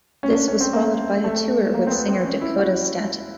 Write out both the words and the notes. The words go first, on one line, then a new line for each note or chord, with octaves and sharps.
This was followed by a tour with singer Dakota Staton.
C#4
D4
C#4
C4
A#3
A3
A#3
C4
B3
C4
C#4
E4
F#4